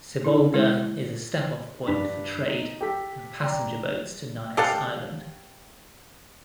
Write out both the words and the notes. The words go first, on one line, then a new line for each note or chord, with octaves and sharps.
Sibolga is a step off point for trade and passenger boats to Nias Island.
E4
G#3 E4 B4
G2 D4 B4 B6
D#4
G4 A4 B6
D5 G5 A#5
G4 A4 F5 F#5